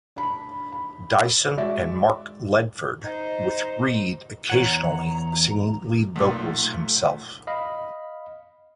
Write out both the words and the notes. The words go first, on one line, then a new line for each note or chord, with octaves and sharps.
Dyson and Mark Ledford, with Reid occasionally singing lead vocals himself.
D4 B5
B5
G#3 F#4 D5 E5
D#4 C5
E2 C#5 F#5 A#5
B1 A#2 A3
D#5 F5 B5